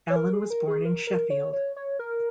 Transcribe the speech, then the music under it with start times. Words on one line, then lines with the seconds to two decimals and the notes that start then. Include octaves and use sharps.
Allan was born in Sheffield.
0.10 C#5
0.16 A#4
0.33 G#4
0.50 A#4
0.68 G#4
0.85 A#4
1.07 A#4
1.30 C#5
1.53 C#5
1.76 C#5
1.99 A#4